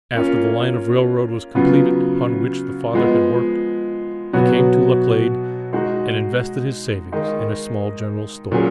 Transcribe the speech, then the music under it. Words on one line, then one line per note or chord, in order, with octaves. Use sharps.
After the line of railroad was completed upon which the father had worked, he came to Laclede and invested his savings in a small general store.
A#3 C#4 F4
C#3 F#3 B3 F4
F3 G#3 B3
B2 F#3 B3 F#4 C#5
G#3 D#4 F#4
D#3 G#3 D#4
A#2 F#3 C#4 G#4